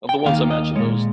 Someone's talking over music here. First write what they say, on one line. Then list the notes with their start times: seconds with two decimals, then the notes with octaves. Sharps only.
of the ones I mentioned, those
0.09 G5
0.25 D#2 D#3 A#3 F5
0.50 D#5
0.75 G#3 C#5
0.79 A#2